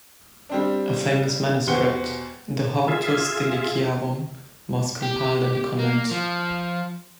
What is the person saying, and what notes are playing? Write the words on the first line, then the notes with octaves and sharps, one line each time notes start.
A famous manuscript, the "Hortus Deliciarum", was compiled in the convent.
G3 C4 D4
E2 B2 G4 C5 F#5 G7
F4 G#4 E5
G4
A#3
F3